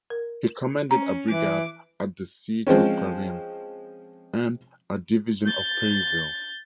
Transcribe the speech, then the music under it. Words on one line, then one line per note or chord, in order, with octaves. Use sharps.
He commanded a brigade at the Siege of Corinth and a division at Perryville.
A#4
C#4 A#5
E3 D6
F3 G#3 C4 C#4
G6 A6